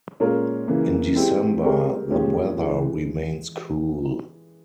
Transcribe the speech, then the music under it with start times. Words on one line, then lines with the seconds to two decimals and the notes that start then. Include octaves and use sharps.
In December, the weather remains cool.
0.20 A#2 G#3 C#4 F4 A#4
0.68 C#3 E3 A#3
1.15 G#3 C4 E4 G4
1.62 G#3 C4 G4 A#4
2.10 A#2 F3 G#3 C#4 G4
2.57 E3 G#3